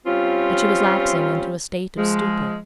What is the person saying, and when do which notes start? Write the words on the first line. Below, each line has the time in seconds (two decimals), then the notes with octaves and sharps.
But she was lapsing into a state of stupor.
0.06 G3 C4 C#4 F4
1.97 F3 G#3